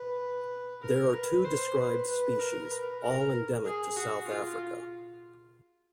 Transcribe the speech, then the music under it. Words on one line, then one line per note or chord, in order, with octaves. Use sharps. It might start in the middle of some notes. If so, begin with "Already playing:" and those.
There are two described species, all endemic to South Africa.
Already playing: B4
A#4
B4
C5
B4
B4
A#4
B4
A#4
G#4
F#4
F4